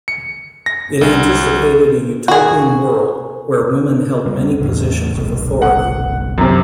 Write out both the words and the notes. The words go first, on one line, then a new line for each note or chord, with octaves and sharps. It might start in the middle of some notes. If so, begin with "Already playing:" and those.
It anticipated a utopian world where women held many positions of authority.
C#7
A#6
C2
F#4 G#4
C#3 G3 B3
E2 A2 C#3
G1 C2 B2
F#5
F#2 C3